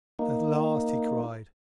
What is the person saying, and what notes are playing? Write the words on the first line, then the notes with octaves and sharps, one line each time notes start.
"At last!" he cried.
A#3 D#4